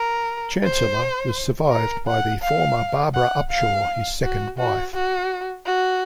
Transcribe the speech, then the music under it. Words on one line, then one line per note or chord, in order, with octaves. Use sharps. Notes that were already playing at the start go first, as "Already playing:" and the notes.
Chancellor was survived by the former Barbara Upshaw, his second wife.
Already playing: A#4
C5
A#4
F#5
F5
F#5
F5
F#4
F#4
F#4
F#4